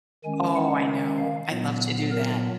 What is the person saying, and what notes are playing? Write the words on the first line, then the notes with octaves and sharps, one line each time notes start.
Oh, I know. I love to do that.
D#3 G#3 C#4 G#5
F#5
F5
A#2 F#3 B3
A#4